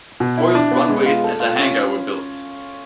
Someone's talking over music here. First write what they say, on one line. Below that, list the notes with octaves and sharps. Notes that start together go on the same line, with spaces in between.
Oiled runways and a hangar were built.
B2
E4
D4
B3
G#3
F4
A4
F4
C#4